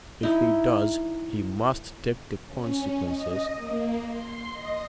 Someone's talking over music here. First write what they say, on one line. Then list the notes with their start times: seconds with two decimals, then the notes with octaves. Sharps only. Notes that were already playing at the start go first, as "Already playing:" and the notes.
If he does, he must take the consequences.
0.23 D#4 E4
2.46 C#4
3.01 D#5
3.56 A#3
4.09 C6
4.53 D#5